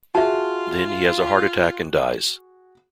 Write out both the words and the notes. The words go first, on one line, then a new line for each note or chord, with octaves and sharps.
Then he has a heart attack and dies.
F4 F#4 G#4 E5 A5